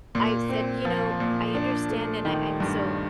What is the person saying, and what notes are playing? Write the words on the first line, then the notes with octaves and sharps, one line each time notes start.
I said, "You know, I understand, and I I'm so
A#2
C4
F3
A#2
D4
A3
D#3
G2